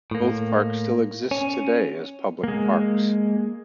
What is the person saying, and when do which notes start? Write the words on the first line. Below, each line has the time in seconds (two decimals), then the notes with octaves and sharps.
Both parks still exist today as public parks.
0.11 A2 A#3
1.31 C#4
2.44 G#3 A#3